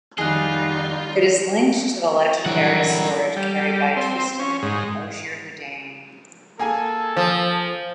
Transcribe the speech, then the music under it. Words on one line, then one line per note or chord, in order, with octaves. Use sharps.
It is linked to the legendary sword carried by Tristan and Ogier the Dane.
F2 D#3 G3 D#4 F4 G#4 D#5 F#5
D3 E3 F#3 G3 E4 A#4 F#5
G3
G3
C4
C#4
G#2
A#3 G#4 A4 G#5
F3